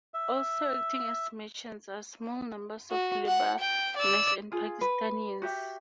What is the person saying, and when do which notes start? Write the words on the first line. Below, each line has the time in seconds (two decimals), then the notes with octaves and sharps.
Also acting as merchants are small numbers of Lebanese and Pakistanis.
0.14 E5
2.91 F#4
3.28 F#5
3.60 G5
3.97 D5 E6
4.52 F4 G#4
4.81 B4
5.42 F#4 G4 E5